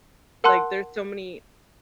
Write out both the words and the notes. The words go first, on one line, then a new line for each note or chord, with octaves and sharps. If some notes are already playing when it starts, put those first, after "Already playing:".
Like there's so many
A#4 F#5 A5 C6 F#6